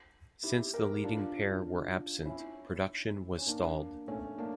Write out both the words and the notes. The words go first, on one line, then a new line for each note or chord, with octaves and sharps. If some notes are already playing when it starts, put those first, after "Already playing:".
Since the leading pair were absent, production was stalled.
E4 G4
G4 A#4
D4 F4
C#4 E4
C#4
A#3 D4
A3 C#4
A#3 D4